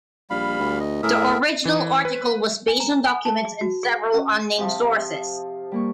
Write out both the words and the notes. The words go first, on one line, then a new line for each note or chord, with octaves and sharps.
The original article was based on documents and several unnamed sources.
A#1 G3 F5 B5
D2
D#5
A2 G#4 A#4 E5
E3
B4
G#5
A#5
G#5
A5
G#4
F#4
G#4
C#4
C3 F3
D#6
G3 A#3 C#6